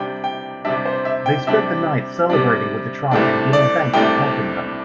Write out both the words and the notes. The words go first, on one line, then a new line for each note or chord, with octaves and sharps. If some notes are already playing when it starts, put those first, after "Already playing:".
They spend the night celebrating with the tribe and getting thanks for helping them.
Already playing: C3 G3 D4 G5
G5
C3 G3 D4 E5
C5
E5
G5
C3 G3 D4 E5
C3 G3 D4
C2 C3 A3 D4
D5
C2 C3 A3 D4 G5